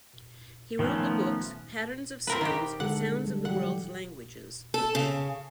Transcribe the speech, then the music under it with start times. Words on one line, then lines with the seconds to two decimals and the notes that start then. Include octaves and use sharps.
He wrote the books "Patterns of Sounds" and "Sounds of the World's Languages".
0.79 D#3 F3 A3 B3 C#4
2.27 C4 A#4 B4
2.41 D#3 C4 G4
2.80 D3 G#3 A4 F#5
3.27 G3
3.45 E3 F#3 G4 F#5
4.74 A4
4.95 C#3